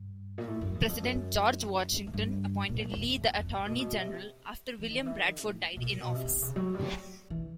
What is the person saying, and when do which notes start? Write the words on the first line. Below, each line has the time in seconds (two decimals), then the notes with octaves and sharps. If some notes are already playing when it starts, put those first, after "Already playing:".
President George Washington appointed Lee the Attorney General after William Bradford died in office.
Already playing: G2
0.38 A#2
0.48 A2
0.61 F#2
0.75 E2
0.89 F2
1.03 F#2
2.07 G#2
2.14 G2
2.69 A#2
2.96 E2
3.24 E2
3.38 F2
3.52 A#2
3.66 B2
3.73 A#2
3.79 B2
3.98 C3
4.79 E3
4.90 D#3
5.06 E3
5.18 D#3
5.45 A2
5.77 B2
5.82 A#2
6.01 B2
6.15 C3
6.28 C3
6.42 C#3
6.56 F#3
6.74 G3
6.93 F#3
7.30 E3